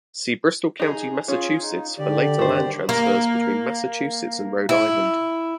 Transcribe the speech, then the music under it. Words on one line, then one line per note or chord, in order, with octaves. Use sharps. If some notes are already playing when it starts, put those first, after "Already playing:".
See Bristol County, Massachusetts for later land transfers between Massachusetts and Rhode Island.
D#4 G#4
C#4 F4 G#4
D#4
D3 G4 D5
G2 D3 D#3 A3 C5
A#3
E4